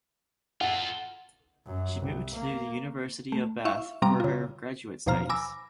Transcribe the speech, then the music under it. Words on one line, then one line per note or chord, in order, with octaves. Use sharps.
She moved to the University of Bath for her graduate studies.
F4 A4 F#5
F#2
C2
A#3
A3
E4 E5 F5 C#6
C3 G3 C4 F5 A#5 D6
C#3 F4
D#2 B2 F3 C5 A#5 F6
G#5 B5 D6 E6 A#6